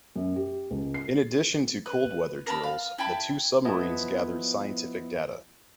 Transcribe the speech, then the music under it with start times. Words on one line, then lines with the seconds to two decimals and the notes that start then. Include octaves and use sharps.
In addition to cold-weather drills, the two submarines gathered scientific data.
0.16 F#2
0.36 G4
0.70 C#2
0.94 C7
1.86 B4
2.46 A#4 A5 B5
2.64 F5
2.98 E4 G5 A5 B5
3.65 F3 B3 E4 D#5